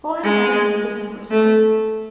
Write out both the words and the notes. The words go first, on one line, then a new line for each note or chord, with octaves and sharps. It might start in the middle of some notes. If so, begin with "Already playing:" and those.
Four inhabitants of the town were killed.
G#3
A3